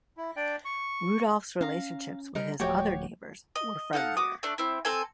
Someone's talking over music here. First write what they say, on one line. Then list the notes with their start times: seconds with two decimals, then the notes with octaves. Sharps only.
Rudolph's relationships with his other neighbours were friendlier.
0.17 E4
0.36 D4 D5 G5
0.65 C#6
1.61 C#4 F5 A#5
2.35 G3 D#4 A#4
2.60 D1 F3 A3 F#4 G4 C#5 G5
3.56 D#5
3.93 D#4 A4 F5 F#5
4.17 F#4 D6 D#6
4.43 A3 D4
4.58 C4 E4
4.85 C4 A4 G#5